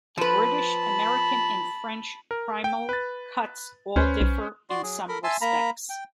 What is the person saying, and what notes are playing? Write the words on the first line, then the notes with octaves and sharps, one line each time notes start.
The British, American and French primal cuts all differ in some respects.
F3 B4 A5 B5
A#4
G5
B4 A6
D2 C#4 B4 C5
B1
F#4 D5 C6
F#3 G#4
A4 A#4 B5
E5 G#5 A5 C6
A#3 A#5 B5
G5